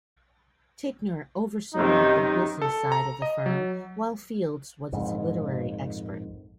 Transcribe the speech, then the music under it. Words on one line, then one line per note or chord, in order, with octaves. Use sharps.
Ticknor oversaw the business side of the firm while Fields was its literary expert.
F#2 C3 D#3 D#4
A4
A#5
D#5
F#3
A#1 F2 G#2